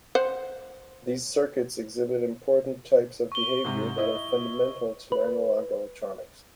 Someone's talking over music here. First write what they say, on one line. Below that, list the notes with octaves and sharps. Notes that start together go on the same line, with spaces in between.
These circuits exhibit important types of behaviour that are fundamental to analogue electronics.
C5 F#5
C#6 G7
G#2 C3
E4 D#5
B4